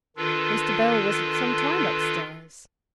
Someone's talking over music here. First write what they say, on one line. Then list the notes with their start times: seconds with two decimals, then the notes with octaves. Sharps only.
Mr. Bell was some time up-stairs.
0.17 D#3 D4 F4 A4 B4